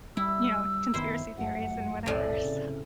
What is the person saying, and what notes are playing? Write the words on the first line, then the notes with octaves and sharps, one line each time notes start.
you know, conspiracy theories and whatever, so
G3 E4 E6
F#1 D#3 B3 E4 C5
G1 F#2 A3 F#5
B1 F2 A2 C3 D5
C#3